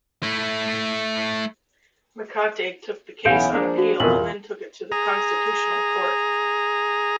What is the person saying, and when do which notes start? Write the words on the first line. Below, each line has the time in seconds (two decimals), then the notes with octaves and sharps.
Makate took the case on appeal, and then took it to the Constitutional Court.
0.23 A3 E4
3.25 B1 E3 B3 C#4 F5 G6 D7
3.53 F3 A#3 D4 G#4
3.78 F#4
4.00 F2 B2 E3 F4 A#4 F#7
4.14 E2
4.92 G#4 A#5